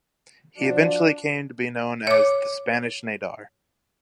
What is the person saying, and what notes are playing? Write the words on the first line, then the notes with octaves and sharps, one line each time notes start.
He eventually came to be known as the "Spanish Nadar".
F3 D4 F#4 D5
C#5 D6